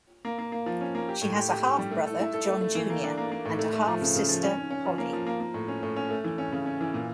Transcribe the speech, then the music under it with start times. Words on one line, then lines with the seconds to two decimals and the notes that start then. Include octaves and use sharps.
She has a half-brother, John, Junior and a half-sister, Holly.
0.25 A#3
0.38 A#3
0.52 A#3
0.66 F3
0.81 C#4
0.95 A#3
1.09 G4
1.22 A2
1.36 G4
1.51 G4
1.64 G4
1.79 G3
1.91 A3
2.06 A4
2.20 E4
2.33 A4
2.48 A3
2.61 A3
2.75 E3
2.90 A#3
3.04 D4
3.18 A#3
3.32 A#3
3.45 A2
3.59 A3
3.73 A3
3.87 F3
4.01 C#3
4.16 C#3
4.29 F3
4.43 C#4
4.57 C#4
4.71 C#4
4.85 F3
4.98 A#3
5.13 F3
5.27 A#3
5.40 A#3
5.54 A2
5.68 C#4
5.83 A2
5.96 C#4
6.10 A3
6.24 E3
6.38 C#4
6.52 C#3
6.66 C#4
6.81 E3
6.94 A#2